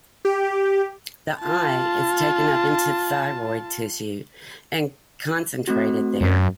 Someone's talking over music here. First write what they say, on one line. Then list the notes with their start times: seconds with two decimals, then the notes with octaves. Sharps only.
The I is taken up into thyroid tissue and concentrated there.
0.25 G4
1.41 F4 A5
5.68 A3 C4 F#4
6.21 F#2